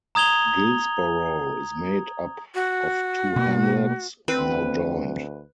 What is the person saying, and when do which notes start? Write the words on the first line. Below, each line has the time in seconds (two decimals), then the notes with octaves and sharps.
Guilsborough is made up of two hamlets, now joined.
0.15 A#5 D#6 G#6 F7 G7
2.55 F#4
3.36 B2 A#3
4.28 D2 C4 B4